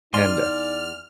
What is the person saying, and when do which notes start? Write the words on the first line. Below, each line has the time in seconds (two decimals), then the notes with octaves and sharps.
and, uh
0.14 E2 D#4 D5 G#5 C6 F6